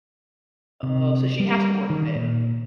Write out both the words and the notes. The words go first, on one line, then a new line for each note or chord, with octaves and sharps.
Oh, so she has to work at it.
C3
G3
D#3
A#2